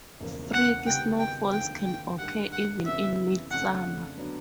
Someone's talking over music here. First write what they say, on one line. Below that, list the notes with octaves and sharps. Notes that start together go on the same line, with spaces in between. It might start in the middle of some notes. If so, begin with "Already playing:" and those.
Freak snowfalls can occur even in midsummer.
E1 E2 C#3 F3 A#3
F#5
C#2 C3 D#3 G3 B3 G5
G5
F1 D#2 D3 F3 G5
G5
G2 D#3 G3 F#5
F#5
F2 C#3 E3 G3 B3 E5
F2 C#3 F3 A3 D4 F#5
D3 F#3 B3 D4